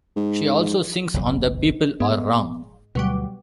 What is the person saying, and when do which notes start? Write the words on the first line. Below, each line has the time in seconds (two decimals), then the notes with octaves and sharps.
She also sings on the People Are Wrong!
0.16 G#2
1.14 F#1 B1 E2
2.00 G#2 B3
2.95 D2 B2 F#3 G3